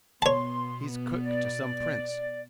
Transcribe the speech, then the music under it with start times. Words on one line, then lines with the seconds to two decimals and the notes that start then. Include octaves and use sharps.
"He's cook to some prince."
0.22 B2 B3 C#5 A5 C6
1.21 D5